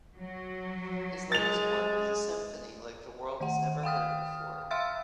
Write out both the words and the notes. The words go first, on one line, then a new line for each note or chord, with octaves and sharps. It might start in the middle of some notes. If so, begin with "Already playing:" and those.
His latest work is a symphony like the world has never heard before.
F#3
G#3 A6 F7
D#3 F#5
F5 G5 D#6 F6
E5 F5 C6 E6 F6 A6